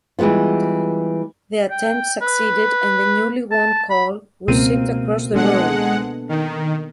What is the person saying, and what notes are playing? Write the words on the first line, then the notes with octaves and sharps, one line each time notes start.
The attempt succeeded and the newly won coal was shipped across the Ruhr.
E3 G3 G#3 B3 F4
G5
B4
A5
B5
C#2 B2 A#3 C4 A#4 D#7
G#3 B3 D4 A4 F#5
D#3